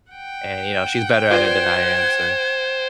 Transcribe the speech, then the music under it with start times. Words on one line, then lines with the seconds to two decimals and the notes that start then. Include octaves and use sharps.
and, you know, she's better at it than I am, so
0.12 F#5 G5
1.31 F4 B4 C5 D5 G#6